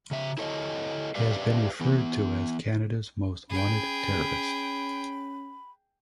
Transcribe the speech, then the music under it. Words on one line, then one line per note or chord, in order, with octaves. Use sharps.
He has been referred to as "Canada's most wanted terrorist".
C#3 E5
E4 A4 C#5 D#5
G4 B4 D5 E5 F5
E3 B3
C#4 G#4 G5 B5